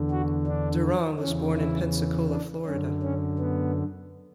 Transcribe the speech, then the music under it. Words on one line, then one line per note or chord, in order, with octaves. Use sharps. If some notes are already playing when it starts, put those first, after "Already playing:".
Durant was born in Pensacola, Florida.
Already playing: E2 D3
F#4
D4
E2 C#3 E3 C#4
E4
D4
F#2 D3 C#4
C#4
B3